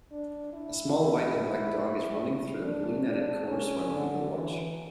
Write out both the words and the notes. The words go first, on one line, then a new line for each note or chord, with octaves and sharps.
A small white and black dog is running through a blue netted course while people watch.
D4
E4
D4
D4
C#4
D3
E3